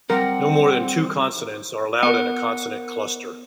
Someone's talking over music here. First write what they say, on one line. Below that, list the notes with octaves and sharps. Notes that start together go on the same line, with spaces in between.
No more than two consonants are allowed in a consonant cluster.
G3 C4 A#4 F#5
B3 A#4 F#5